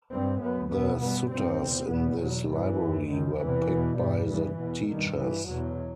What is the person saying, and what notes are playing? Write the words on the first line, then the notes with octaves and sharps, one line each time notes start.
The suttas in this library were picked by the teachers.
G2 C4
F#2 B3
E2 B2 B3
G2 B3
G2 C4
E2 C3
E2 B2 B3
E2 B2 F#3
G2 E3
F#2
F#2 D#3
E2 C3 E3
E2 B2
G2 G3
G2 E3
E2 B2
G2 D#3
G2 E3
E2 B2 F#3